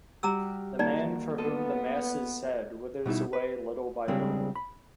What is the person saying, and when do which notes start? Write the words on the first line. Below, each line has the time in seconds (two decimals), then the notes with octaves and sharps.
The man for whom the mass is said withers away little by little.
0.23 G3 F#4 G4 A#5 D6 E6
0.79 D#3 A#3 D#4 F#4 D5
1.38 B3 F4 A4 D#5
3.06 B2 G3 D#4 E4
3.33 B4
4.08 C#3 G3 G#3 C4 D4 G#4
4.56 B5